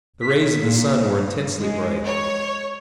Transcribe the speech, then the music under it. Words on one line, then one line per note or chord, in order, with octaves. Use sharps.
The rays of the sun were intensely bright.
B6
A#2
G2
G#3
C#5